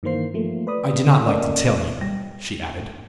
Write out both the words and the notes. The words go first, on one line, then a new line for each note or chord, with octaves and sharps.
"I do not like to tell you," she added.
G2 D#3 E3 A#3 C5 C7
F3 A3 A#3
B4 D5 B5 D#6
E3
A#3 C#4 A4 A#4 D5 D#5
G3